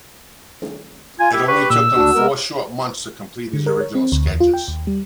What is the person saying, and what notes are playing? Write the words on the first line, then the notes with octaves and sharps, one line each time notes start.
It only took him four short months to complete his original sketches.
F4 G#5
E4 G4
G4 B4 C#6
A#2 E6
D2 D4 F#4
G#3 B3 A#4
D3
A#4
C#5
C4
D2
E2
F4
G5
D#2
G3